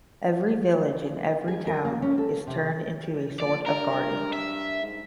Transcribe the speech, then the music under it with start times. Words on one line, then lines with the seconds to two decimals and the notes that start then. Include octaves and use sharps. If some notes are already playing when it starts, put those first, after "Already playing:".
Every village and every town is turned into a sort of garden.
1.48 G#4
1.67 A#4
1.85 A#3
2.02 C#4
2.18 A4
2.47 C3
3.40 A#1 D5
3.66 G2 A#4
4.33 E5
4.82 G#2